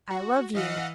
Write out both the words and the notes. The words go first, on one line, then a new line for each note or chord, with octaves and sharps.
I love you.
F#4
E3 D#5 F5 F#5